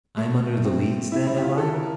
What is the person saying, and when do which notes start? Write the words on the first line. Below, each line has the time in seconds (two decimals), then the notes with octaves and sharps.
"I am under the Leads, then, am I?"
0.17 A3
0.64 C4
1.12 E4
1.27 E4
1.37 G4
1.43 F4
1.58 A4
1.74 A#4